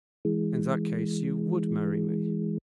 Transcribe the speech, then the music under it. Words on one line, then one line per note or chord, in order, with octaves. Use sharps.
"In that case you--would marry me?"
E3 G#3